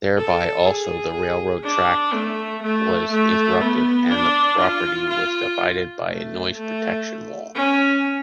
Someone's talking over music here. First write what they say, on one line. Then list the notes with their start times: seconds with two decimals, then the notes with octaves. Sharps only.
Thereby, also the railroad track was interrupted and the property was divided by a noise protection wall.
0.17 A4
0.66 G#4
1.64 D4
2.13 A3
2.63 A3
3.12 A3
3.61 B3
4.11 D4
4.60 F4
5.10 F4
6.08 A3
6.57 A3
7.56 C#4